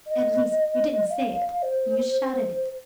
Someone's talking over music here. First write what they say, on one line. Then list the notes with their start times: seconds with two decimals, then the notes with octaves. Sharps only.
"At least--you didn't say it--you shouted it!"
0.07 D#5
1.10 F5
1.62 C5